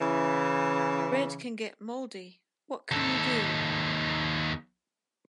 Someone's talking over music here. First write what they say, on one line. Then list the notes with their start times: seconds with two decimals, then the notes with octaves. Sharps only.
Bread can get moldy. What can you do?
0.01 C#3 E3
2.91 D#2 A4